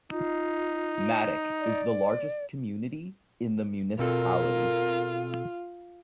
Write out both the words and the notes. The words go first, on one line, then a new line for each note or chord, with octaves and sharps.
Madoc is the largest community in the municipality.
D#4 F4
D5
B2 C4 F4 A4 A#4